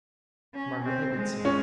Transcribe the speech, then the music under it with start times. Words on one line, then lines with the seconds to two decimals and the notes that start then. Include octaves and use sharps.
Margaret Ibbotson!
0.54 C#4
0.85 C4
1.14 G#3
1.45 C#4